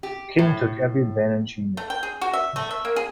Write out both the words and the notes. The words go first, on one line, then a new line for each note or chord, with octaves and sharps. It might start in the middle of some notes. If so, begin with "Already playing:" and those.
King took every advantage he knew.
G4
A2
A3
G5
G#4
F#4
E5
A3
E5
A#3
G#4